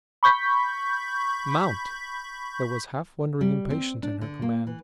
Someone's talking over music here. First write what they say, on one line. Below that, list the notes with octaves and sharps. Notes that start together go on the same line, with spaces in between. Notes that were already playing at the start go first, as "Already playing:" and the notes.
"Mount." There was half-wondering impatience in her command.
B5 C#6 G6 B6
G3
C4
D4
D3
A#3
E3